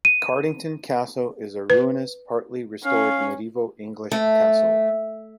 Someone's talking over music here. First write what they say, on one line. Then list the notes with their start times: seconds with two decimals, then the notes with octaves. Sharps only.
Cartington Castle is a ruinous, partly restored medieval English castle.
0.05 D#7
1.70 B4
2.85 C#4 F5
4.12 A3